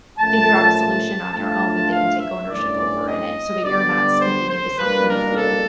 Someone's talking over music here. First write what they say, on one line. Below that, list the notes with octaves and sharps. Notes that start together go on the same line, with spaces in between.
figure out a solution on their own that they can take ownership over in it, so that you're not speaking into something you feel
A#2 F3 A3 C#4 A5
A5
A2 F3 A3 D4 F4 A5
F5
E5
G2 E3 A3 C#4 D5
D#5
D3 G3 B3 D5
C5
C5
E2 B2 G3 A#3 D4 B4
A#4
A4